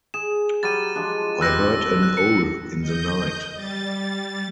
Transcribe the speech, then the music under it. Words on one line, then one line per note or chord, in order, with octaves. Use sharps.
I heard an owl in the night.
G#4 E7
F#3 G3 A6 D#7
F3 G#3 D4
G3 C4 E6 F#6 A#6
F#6
C#7
D#5 G6
G3 A6